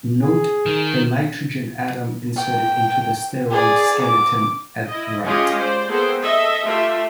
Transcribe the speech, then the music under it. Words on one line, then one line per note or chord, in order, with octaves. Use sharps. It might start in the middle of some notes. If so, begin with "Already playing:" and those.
Note the nitrogen atom inserted into the steroid skeleton at right.
G#4
D#3
G5
G#4 D5
D6
E4 D#5
G#3 C#4 F4 G4 G#4 D#5
C5 D5
A#3 B3 G#4 A4 C5 G5
A4 D#5 E5
A3 F4 G4 A4 E5